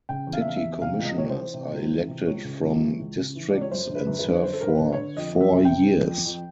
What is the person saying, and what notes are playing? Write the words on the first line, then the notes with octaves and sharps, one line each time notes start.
City commissioners are elected from districts and serve for four years.
C#3 G5
E2
F5
E5
E2 F5
E5
E2
C3 F5
C#2
D#5
C3 C#5
C5
E3
C3
C#2
E3
C3
C#2 C#5
C#3
C#2
E3
C#2
C#3
E3
C#2 D5
C#5
F#2 C5
D3
B4
F#2
B4
D3
C#5
F#2 C5
A4
D3 A#4
B4
D3
C#5
D3
F2 D#5
F2
E5
C3
G5
C3
F2
F2
F2